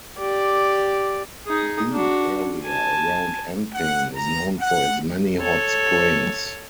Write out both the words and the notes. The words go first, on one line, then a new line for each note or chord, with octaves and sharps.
The area around Enping is known for its many hot springs.
G4 D5
D#4 G#4
D4 F#4
G#5 A5
F#5
A#5
F#5
A4 C#5